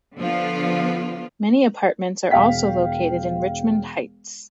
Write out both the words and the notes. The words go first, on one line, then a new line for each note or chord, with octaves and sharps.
Many apartments are also located in Richmond Heights.
D3 F3 B3 F4
E1 F5 G5 B6